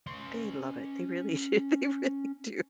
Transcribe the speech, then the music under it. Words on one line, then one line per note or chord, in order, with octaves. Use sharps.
They love it, they really do they really do,
C#4 C6